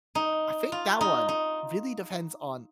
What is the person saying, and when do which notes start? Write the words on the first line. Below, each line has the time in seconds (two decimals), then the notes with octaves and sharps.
I think that one really depends on
0.15 D#4
0.72 F4
1.01 D#4
1.29 D#4